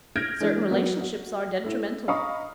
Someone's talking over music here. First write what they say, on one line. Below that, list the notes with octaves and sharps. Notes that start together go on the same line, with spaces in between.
Certain relationships are detrimental.
F6 G6 G#6 A#6 D7
E3 G#3 D4
F#3 A#3 B3
F#4
A3 E4
D#5 F5 A#5 B5 C#6 D#6